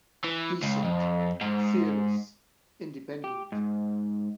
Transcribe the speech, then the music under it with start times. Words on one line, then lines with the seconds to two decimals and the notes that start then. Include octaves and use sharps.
Decent, fearless, independent.
0.24 E3
0.63 C#2
0.85 F2
1.41 G#2
3.24 G4
3.52 G#2